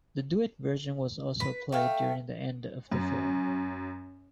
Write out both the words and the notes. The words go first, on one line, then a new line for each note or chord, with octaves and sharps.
The duet version was also played during the end of the film.
B4
A3 F5 G5
F#2 C#4